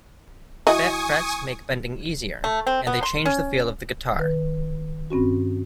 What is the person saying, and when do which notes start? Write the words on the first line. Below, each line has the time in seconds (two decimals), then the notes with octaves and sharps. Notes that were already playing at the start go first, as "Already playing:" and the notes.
Fat frets make bending easier, and they change the feel of the guitar.
0.67 E3 F#4 D#5 G#5 C#6 D#6
2.44 A3
2.67 C4
2.87 B3
3.03 C6
3.25 C#4
4.16 D#3 B4
5.10 G2 C4 C#4 F#4